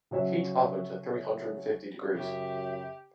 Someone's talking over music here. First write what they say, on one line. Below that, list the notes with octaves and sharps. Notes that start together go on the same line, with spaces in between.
Heat oven to three hundred fifty degrees.
C#3 F#3 C#5 E5
F#2 C#3 G4 E5